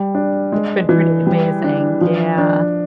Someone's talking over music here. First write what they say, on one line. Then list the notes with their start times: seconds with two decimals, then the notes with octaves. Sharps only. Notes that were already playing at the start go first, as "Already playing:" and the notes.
It's been pretty amazing, yeah.
Already playing: G3
0.15 D4
0.52 G#3
0.89 E3
1.27 G3
1.64 D4
2.01 F3
2.38 D4